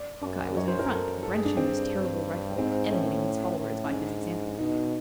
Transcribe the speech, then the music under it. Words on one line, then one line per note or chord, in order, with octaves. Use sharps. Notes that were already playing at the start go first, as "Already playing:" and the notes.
Hawkeye was in front, brandishing his terrible rifle and animating his followers by his example.
Already playing: D5
F#2
C#5
C5
A#4
F#2 A4
G2 A4
G#4
D4
C4
G#2 C4
A2 C#4
A2
C#4
G#2 D4
B2 D#4